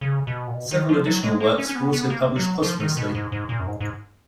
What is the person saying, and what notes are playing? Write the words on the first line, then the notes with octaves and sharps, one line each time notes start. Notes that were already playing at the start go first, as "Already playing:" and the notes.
Several additional works were also published posthumously.
C#3
B2
A#2
B2
D#3
F3
F#3
G#3
A#3
C#4
C#4
B3
B3
A#3
F#3
F3
D#3
B2
G#2
G#2
A#2
F#2
G#2
G#2